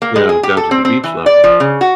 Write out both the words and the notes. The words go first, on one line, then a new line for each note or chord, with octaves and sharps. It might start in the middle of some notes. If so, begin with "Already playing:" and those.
you know, down to the beach level,
A#3
G#3
G#4
G4
A4
C4
C4
E3
D5
F3
C#3
F#4